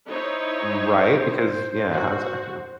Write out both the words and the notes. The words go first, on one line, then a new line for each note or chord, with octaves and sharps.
Right, because yeah, how does that feel?
D#4 E4 C5 C#5
F#4